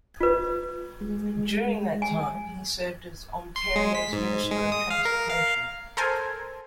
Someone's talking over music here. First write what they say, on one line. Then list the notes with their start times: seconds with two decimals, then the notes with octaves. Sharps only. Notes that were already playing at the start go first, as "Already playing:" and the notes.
During that time, he served as Ontario's Minister of Transportation.
0.20 F4 B4
1.01 G#3
2.02 G#5
3.56 C6
3.76 G#3
3.95 B6
4.13 G#2
4.51 G#3
4.72 D#6
4.90 F5
5.05 A#4
5.30 F5
5.97 A4 A#4 C5 G#5 A5